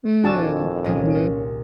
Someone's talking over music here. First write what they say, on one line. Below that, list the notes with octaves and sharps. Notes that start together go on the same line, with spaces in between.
Mm, mhm.
D#1 F2 D4 F#4 G#5 A5 E6
C2 A#2 C#4 G#4